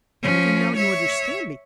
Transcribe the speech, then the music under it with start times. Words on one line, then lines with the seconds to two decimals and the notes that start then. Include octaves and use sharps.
Well then, now you understand me.
0.23 F3 C#4
0.77 C#5 E5